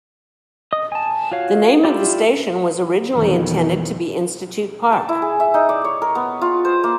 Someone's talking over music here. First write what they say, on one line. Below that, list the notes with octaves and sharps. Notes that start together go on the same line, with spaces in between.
The name of the station was originally intended to be Institute Park.
D#5 D#6
G#5 A5
F4 F#4 C#5 F5
E4 F4 G4 D5
B1 F2 B2 D#3 E3
A5
E4
G#4
E5
D#4
D5
C#5
A#4
B3
F4
C5
A#3